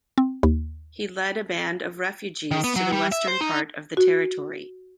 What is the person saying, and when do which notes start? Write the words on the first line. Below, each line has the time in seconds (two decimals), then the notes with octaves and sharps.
He led a band of refugees to the western part of the territory.
0.18 C4
0.43 D#2
2.51 D#3
2.64 B3
2.76 F#3
2.92 G3
3.12 E5
3.28 C5
3.41 D#4
3.97 F#4